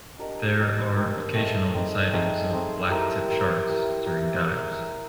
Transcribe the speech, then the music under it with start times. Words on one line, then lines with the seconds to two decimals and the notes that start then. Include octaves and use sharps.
There are occasional sightings of black tip sharks during dives.
0.18 D4 G4 A#4 D#5
0.57 D4 G4 A#4 D#5
0.96 D4 G4 A#4 D#5
1.34 A3 C4 D#4 G#4
1.73 A3 C4 D#4 G#4
2.12 A3 C4 D#4 G#4
2.51 A3 C4 D#4 G#4
2.89 E4 G4 A#4
3.28 E4 G4 A#4
3.67 E4 G4 A#4
4.05 E4 G4 A#4
4.44 E4 G#4 C#5